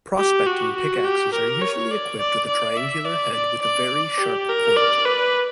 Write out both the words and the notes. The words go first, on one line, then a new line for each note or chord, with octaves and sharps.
Prospecting pickaxes are usually equipped with a triangular head, with a very sharp point.
G4
F#4
F#4
G4
A#4
C#5
D5
D5
D5
E5
D5
D5
D5
G4
A#4
D5
B4